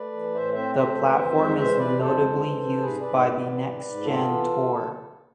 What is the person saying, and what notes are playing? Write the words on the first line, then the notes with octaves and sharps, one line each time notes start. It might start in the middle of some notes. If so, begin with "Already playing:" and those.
The platform is notably used by the Next Gen Tour.
Already playing: A3 B4 D5
E3
A2 C5 E5
C4 C5 E5
A3 C5 E5
E3
F2
G#3
E3 C5 E5
C3 B4 D5
F2 A4 C5
G#3
E3
C3
G#2 G#4 B4
G#2 B4 D5
B3 B4 D5
E3
G#2
G#2
B3 F4 A4
E3